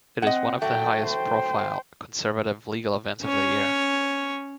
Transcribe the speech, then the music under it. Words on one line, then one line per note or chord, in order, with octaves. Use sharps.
It is one of the highest profile conservative legal events of the year.
C4 D#5 F#5
F#3 A3 G5
C5 G5
C#4 C#5